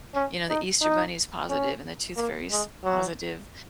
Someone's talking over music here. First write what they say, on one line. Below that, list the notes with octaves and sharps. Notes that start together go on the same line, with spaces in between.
you know, the Easter bunny's positive, and the Tooth Fairy's positive,
C#4
D#4
D#4
C#4
A#3
G#3
F#3